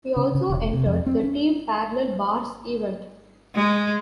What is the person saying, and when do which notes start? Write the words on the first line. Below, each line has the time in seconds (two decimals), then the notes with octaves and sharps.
He also entered the team parallel bars event.
0.16 C#3
0.35 C#3
0.50 E1
0.73 C3
0.86 F2
1.06 C4
1.23 C#4
3.55 G#3